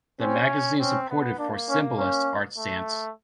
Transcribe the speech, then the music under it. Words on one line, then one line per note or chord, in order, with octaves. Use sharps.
The magazine supported for symbolist art stance.
C4 C#4
C4 C#4
B3
A#3 D4
C#4
C#4
A3